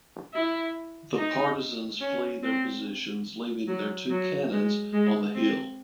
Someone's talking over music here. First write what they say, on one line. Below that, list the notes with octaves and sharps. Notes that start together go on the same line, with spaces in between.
The Partisans flee their positions leaving their two cannons on the hill.
E4
D#4
C#4
C4
F#3
F#3
G#3
G#3
C4